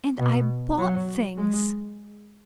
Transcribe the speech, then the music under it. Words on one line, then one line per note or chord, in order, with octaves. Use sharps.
And I bought things!
B2
F#3
G#3